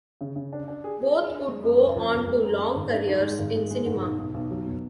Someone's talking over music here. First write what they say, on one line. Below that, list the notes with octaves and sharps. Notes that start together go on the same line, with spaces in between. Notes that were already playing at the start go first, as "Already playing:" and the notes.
Both would go on to long careers in cinema.
C#3
C#3
D4
D4
G#4
G#4
G#4
D4
G#3
F#2
F#2
F3
F#2
G#3
F#2
G#3
G#1
D4
G#2
G#3
G#1
G#3
G#3
G#2
B1
B1
B1
F#3
B2